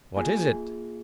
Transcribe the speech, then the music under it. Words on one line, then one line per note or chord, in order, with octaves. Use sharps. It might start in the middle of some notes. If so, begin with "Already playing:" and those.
"What is it?"
A#3 F4 G#4 G#5